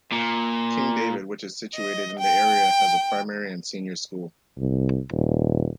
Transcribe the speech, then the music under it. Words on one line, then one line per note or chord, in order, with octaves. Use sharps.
King David which is situated in the area has a primary and senior school.
A#2
D#5
G5
C2
D#1